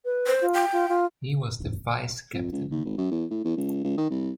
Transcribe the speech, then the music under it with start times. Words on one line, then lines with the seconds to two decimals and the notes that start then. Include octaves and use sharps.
He was the vice captain.
0.05 B4
0.27 C5
0.41 F4
0.54 G5
0.73 F4
0.89 F4
2.33 F2
2.52 C#2
2.71 D#2
2.85 G#1
2.98 F#2
3.11 E2
3.30 A2
3.44 E2
3.57 C#2
3.84 C#2
3.97 D#3
4.10 C2